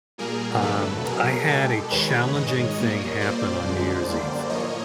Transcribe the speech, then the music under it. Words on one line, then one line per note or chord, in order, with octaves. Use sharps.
Um, I had a challenging thing happen on New Year's Eve.
A#2 G3 A#3 G#4 A#4
F2 D3 F#3 A3 A4 B4
B2 F#3 A3 G#4 A#4
B2 G#3 G4 A4
D#2 D#3 G#3 B4 C#5
G#2 D#3 G#3 C#5 D#5
A#2 G3 A#3
A#2 G3 A#3 C5 D5
F#2 D3 F3 G#3
F#2 D3 G3 A#3
A2 F3 A#3 C#5 D#5